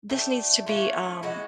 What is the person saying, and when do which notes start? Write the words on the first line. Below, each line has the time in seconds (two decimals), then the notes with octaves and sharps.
This needs to be, um,
0.10 A3 D4 G4
0.66 E3 A3 C#4 F4
1.23 E3 G#3 C#4 F#4